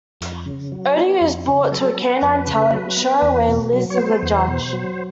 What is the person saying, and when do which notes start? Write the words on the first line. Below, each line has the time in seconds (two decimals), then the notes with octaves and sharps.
Odie is brought to a canine talent show, where Liz is a judge.
0.21 F2
0.46 C#3
0.72 F#3
0.96 B3
1.21 F2
1.47 C#3
1.72 F#3 A4
1.97 B3
2.09 B4
2.22 F2
2.47 C#3
2.72 F#3
2.97 B3
3.22 E2
3.48 B2
3.73 F#3
3.90 C#5
3.97 B3 C5
4.23 E2
4.48 B2
4.73 F#3